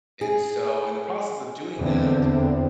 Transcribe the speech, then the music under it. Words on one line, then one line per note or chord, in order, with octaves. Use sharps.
And, so, in the process of doing that,
G#4
E2 D3 C4